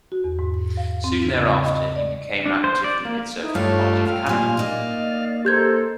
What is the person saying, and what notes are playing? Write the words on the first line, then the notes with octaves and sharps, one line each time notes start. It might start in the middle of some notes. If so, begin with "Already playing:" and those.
Soon thereafter he became active in the Conservative Party of Canada.
F#4
E2
G#2
F5
C4
C#3
D#5
D5
D4
C5
D5
A#3
D#4 E4
G2 A3 F4 C#5 A5
F5 G5
A#2 G3 G#5 C6
A#3 D#4 D5 D#5
G4 A4 A#4 C5 G6 G#6